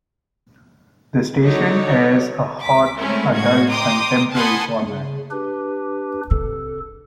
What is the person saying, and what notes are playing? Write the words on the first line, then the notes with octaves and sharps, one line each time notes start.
The station airs a hot adult contemporary format.
D3 F#3 D#4 C#5 D5
C#2 D6 B6
G#3 A3 C4 C#4 E4 A#4
A2 G#3 F#4 G#6
G5 A#5 C6 D6 D#6
F#5 G#5 A5 B5 C6 D#6
C#3
D4 G4 B4
C3 A4